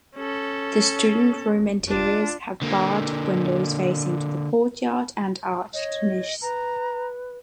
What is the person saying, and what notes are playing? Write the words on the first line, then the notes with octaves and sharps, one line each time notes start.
The student room interiors have barred windows facing to the courtyard and arched niches.
C#4 A4
D4 F4
D3 A#3
C#5 D#5
B4 A#5